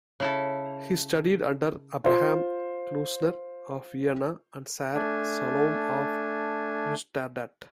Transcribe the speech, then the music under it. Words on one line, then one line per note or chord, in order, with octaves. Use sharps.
He studied under Abraham Klausner of Vienna and Sar Shalom of "Neustadt".
C#3 E4 A4
F4 C5
A3 D4 G#5